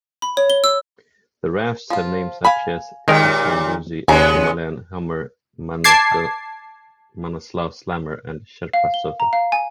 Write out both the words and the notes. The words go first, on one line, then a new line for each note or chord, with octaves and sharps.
The rafts have names such as "Kathmandoozy", "Himalayan Hummer", "Manaslu Slammer", and "Sherpa Surfer".
B5
C#5
G7
E6
F3 F4
F5 G#5 B5
D#2 A#2 D#3 G#3 A#4
D#2 C#3 G#3 B3 G#5 A#5
A5 D6 G#6 C7
F5
G7
A#5
F5
G#5